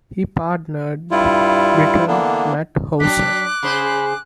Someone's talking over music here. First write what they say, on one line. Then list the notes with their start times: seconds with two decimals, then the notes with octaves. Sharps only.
He partnered Briton Matt Howson.
1.11 G2 G3 E4 F4
2.08 D3 E3 A#3 B3 D4
3.00 F#3 D4 D6 F#6 B6
3.63 C#3 G#4 C5 B5